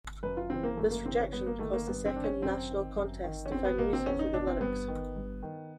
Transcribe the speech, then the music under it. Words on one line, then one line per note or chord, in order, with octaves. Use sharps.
This rejection caused a second national contest to find music for the lyrics.
F#2 B4
F4
C#3 E3 C4
A#3
F#2 A3
A#3
C#3 E3 C4
C#4
G2 B3
A#3
D#3 A3
A#3
G2 B3
C4
D#3 D4
C#4
F#2 C4
D#3
F#2
D#3
C#4
E2 C4
B3
B2 A#3
C4
E2 C#4
D#4
B2 D4
C4
G2 B3
D#3
G2
D#3